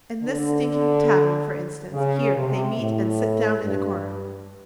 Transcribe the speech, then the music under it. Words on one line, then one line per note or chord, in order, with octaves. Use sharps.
In this stinking tavern, for instance, here, they meet and sit down in a corner.
D3
C#3
C3
A2
G2